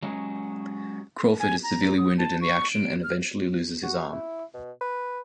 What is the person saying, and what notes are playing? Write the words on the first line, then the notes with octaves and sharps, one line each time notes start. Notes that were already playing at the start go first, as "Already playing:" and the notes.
Crawford is severely wounded in the action and eventually loses his arm.
F#3 G#3 C#4
G#5
A#5
D#6
A5
C#6
D7
F6
F#4
E4
B2
B4